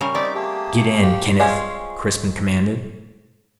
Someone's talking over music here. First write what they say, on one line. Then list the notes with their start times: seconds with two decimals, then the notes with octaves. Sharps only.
"Get in, Kenneth," Crispin commanded.
0.01 C#3 G3 A#4 C#6
0.15 C4 D#4 D5 E5 D6
0.35 A3 A#3 G4 G#4 A5
1.03 G4 F5
1.40 G#3 C4 C#4 F4 G#4